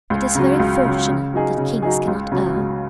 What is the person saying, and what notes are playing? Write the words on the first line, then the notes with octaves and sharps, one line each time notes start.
It is very fortunate that kings cannot err.
C#2
C#3 F#3
C#2
C#3 F#3
C#3
F#3 D#4 G#4
C#3
F#3 D#4 G#4
C#2
C#3 F#3
C#2